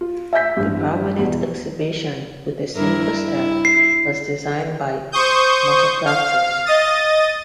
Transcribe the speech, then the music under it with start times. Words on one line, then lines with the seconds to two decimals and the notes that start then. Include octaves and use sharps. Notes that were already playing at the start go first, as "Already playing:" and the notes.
The permanent exhibition, "With a Single Step" was designed by Matter Practice.
0.01 F4
0.33 E5 G#5 E6 G6 B6
0.57 A1 G2
1.19 E2 B2
2.75 G2 E4 A#4
3.23 E4
3.65 C7
5.12 C5 C#6 D#6 G6
6.06 F5
6.65 D#5 D#6 A6